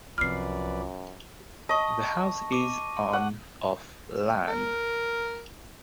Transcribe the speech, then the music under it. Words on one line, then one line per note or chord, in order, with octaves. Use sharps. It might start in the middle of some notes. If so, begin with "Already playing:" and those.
The house is on of land.
C2 F#2 F3 C4 B4 D5 F6 C7
D#5 A5 C#6
D6 D#7
F#5
A#4